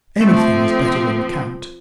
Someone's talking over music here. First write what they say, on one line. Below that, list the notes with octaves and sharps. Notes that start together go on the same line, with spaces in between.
Anything is better than the count.
F3 A3 C4